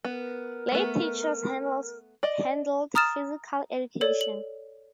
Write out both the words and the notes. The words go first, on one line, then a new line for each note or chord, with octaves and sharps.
Lay teachers handled physical education.
B3 A#4
A3 B3
D5 D#5
A#5 D#6 F6 A6 E7
A4 C#5 D5
F#7